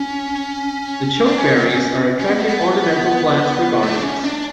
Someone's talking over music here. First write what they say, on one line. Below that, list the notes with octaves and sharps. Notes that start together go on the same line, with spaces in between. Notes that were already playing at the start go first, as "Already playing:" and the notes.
The chokeberries are attractive ornamental plants for gardens.
Already playing: C#4
D4
C#4
B3
C#4
C#4
B3
A3
B3
A3
D4
C#4
D4